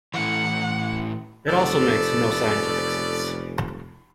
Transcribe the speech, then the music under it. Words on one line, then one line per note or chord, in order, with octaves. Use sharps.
It also makes no scientific sense.
A2 E3 F#5
F1 B3 C#4 A4 D5